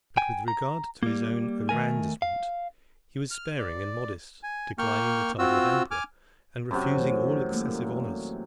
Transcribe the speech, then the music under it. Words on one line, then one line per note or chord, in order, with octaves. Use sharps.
But with regard to his own aggrandisement, he was sparing and modest, declining the title of emperor, and refusing all excessive honours.
G5 G#5
A#5
G3 A#3
D#3 A3 A#4 G#5
F5
F6
D5
G#5
A#3 G5 C#6 F6
C4 F4 F#4 E6
G#5 D6 F6
F#2 C3 F#4
E3 A3
G3 A3 A#3